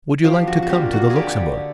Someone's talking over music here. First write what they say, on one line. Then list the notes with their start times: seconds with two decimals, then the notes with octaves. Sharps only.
"Would you like to come to the Luxembourg?"
0.24 F3 G4
0.47 F#4
0.63 F#4
0.70 A#3 D4 G4
0.93 F#4
1.10 G#4
1.16 D3 G4